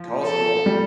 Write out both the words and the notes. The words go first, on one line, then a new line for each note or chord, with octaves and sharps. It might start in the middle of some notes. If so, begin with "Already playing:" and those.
Cars are long.
Already playing: F3
A4
G3